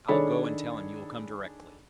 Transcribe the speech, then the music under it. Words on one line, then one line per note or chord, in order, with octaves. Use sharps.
"I'll go and tell him you will come directly."
D#3 D4 G#4 A4 C#5 B5